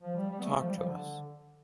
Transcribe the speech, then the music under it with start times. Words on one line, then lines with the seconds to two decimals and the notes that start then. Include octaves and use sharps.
Talk to us.
0.01 F3
0.15 G3
0.29 G3
0.39 B3
0.44 A3
0.58 F3
0.67 G3
0.76 F3
0.87 D3